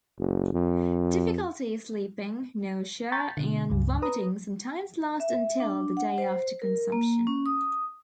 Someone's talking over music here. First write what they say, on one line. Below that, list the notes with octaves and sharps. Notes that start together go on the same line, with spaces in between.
Difficulty sleeping, nausea, and vomiting sometimes last until the day after consumption.
F#1
F2
A#5 C6 C#6 G6 A6 B6
B2 D3
C#2 G2
B4 A#5 D#6
E5
D4
F#5
C5
A#4
A#3
C#4
D#6